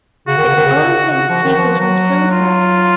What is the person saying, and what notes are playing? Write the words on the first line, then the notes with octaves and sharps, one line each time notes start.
It's the only thing to keep us from suicide.
C#3 F#4
D#3
C#3
D#3
C#3
D#3
C#3
F3
D#3
F3
F#3 F#4
F4